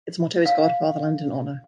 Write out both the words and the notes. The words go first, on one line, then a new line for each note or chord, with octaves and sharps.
Its motto is God, Fatherland, and Honor.
F5